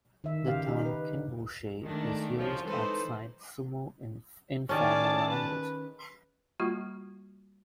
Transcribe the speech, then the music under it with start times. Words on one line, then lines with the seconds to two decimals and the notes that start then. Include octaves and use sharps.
The term "kinboshi" is used outside sumo in informal language.
0.24 D#3 E5
0.44 C#3 G4 F5
0.66 D#4 G4
0.86 B4
1.83 D#3 G#3 A3 D4
2.37 C2 G#2 C#3 F3 C#5
2.66 E3 G#3 D#4 A4 B4 C5
4.69 D#3 C#4 G#4 D5 A5
5.30 B4
6.60 G3 A#3 F4 F#4